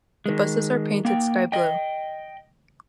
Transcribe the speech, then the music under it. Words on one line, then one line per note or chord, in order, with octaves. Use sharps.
The buses are painted skyblue.
D#3 G#3
A#3 G5
D#5 G5